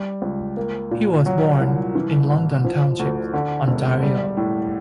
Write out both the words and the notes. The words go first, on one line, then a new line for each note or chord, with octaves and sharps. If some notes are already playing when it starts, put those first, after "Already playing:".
He was born in London Township, Ontario.
Already playing: G3
C#2
A#3
A#2
F#3
C2
E3
A1
F3
D2
D3
E1
G3
A2